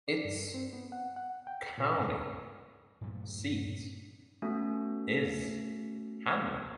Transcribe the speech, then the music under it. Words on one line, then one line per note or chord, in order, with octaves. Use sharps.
Its county seat is Hamlin.
D5
G2
C4
B3
F#5
F#5
G5
A#2
G2
G2 A#2 F#3 A3
A3 B3 C#4 F#4 A4